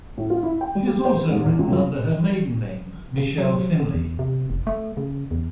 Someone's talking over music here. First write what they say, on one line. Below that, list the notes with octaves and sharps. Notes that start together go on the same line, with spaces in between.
She has also written under her maiden name 'Michelle Finley'.
A2
F4
E4
G5
G3
G4
C5
B4
G#2
E2
C#2
F#2
C#3
F#3
D3
E2
C3
F1
A3
C#3
E2